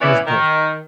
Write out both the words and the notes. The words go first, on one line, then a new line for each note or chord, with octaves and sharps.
It was both.
E3 B3 C#4 C#5 D5 E5
D#3